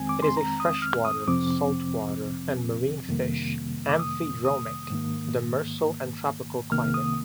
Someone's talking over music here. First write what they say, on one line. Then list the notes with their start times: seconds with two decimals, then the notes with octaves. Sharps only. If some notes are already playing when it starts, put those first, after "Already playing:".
It is a freshwater, saltwater and marine fish; amphidromic; demersal and tropical climate.
Already playing: F2 D#3 G#3 C4 G#5
0.09 D6
0.22 C6
0.37 A#5
0.60 D#6
0.82 F6
1.05 D#6
1.27 F2 C3 F3 C4 D6
3.09 F2 C3 D#3 G3 A#3
3.89 D6
3.99 D#6
4.45 D#6
4.90 G#2 D#3 A#3
6.72 C2 C3 D#3 A#3 F6
6.94 D#6